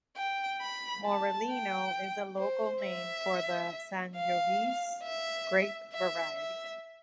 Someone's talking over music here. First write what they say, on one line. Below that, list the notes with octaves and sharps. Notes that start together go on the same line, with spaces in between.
Morellino is the local name for the Sangiovese grape variety.
G5
B5
A5
G5
C5
E5
F5
E5
E5
E5